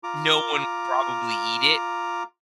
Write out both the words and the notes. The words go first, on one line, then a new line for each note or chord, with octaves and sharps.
no one would probably eat it.
F4 A#5 D6